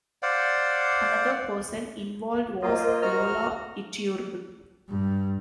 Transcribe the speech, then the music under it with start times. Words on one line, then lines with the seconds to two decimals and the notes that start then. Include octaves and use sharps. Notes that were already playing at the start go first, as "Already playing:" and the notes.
Another person involved was Lola Iturbe.
0.22 C5 D5 F5 F#5
2.62 A#3 F4 A#4 C5 D#5
3.02 F#4 A#5 F6
4.88 G2